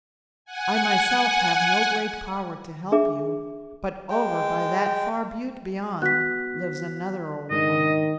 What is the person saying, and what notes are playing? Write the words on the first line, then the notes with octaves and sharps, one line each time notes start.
I myself have no great power to help you, but over by that far butte beyond, lives another old woman.
F#5 G#5
D4 G#4 E5 D6
G#3 G5
B3 F#4 F#6 B6
G#2 D#3 G#3 D4 D#5